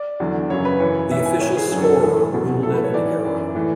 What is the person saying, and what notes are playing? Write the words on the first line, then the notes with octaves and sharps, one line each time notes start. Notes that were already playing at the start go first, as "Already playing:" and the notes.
The official scorer ruled it an error.
Already playing: D5
E2 D3 F#3
F#2 C#3 F#3 C#5
B4
F#2 E3 C#5
G#2 E3 E5
G#5
G#2 E3 C#5
G#4
F#2 D3 F#3 G#4
A4
A2 E3
E2 B2 F#3
A2 F#3 A4
B4
C#5
G#2 E3 D5
F#2 E3
A2 E3